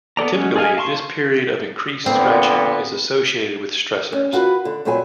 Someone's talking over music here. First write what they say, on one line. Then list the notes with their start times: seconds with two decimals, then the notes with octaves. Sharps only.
Typically this period of increased scratching is associated with stressors.
0.17 B3 A4 D5 A#5
0.32 F#3 G#3 C#4
0.56 G#4 A4 D#5 F5 G#5
0.77 F5 A5 C6 C#6
2.06 A#2 D3 B3 C4
4.13 C#4
4.33 F4 F#4 B4
4.65 D3
4.85 A#2 F#3 C4 B4 G#5